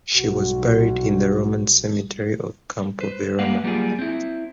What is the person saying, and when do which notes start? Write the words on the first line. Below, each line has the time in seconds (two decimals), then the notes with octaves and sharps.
She was buried in the Roman cemetery of Campo Verano.
0.17 B1 F#4
3.00 B4 C5
3.39 G#3 A#3 B4 F5 F#5
3.64 F#3 G3 A#3 F4 G#4
3.99 C4 E4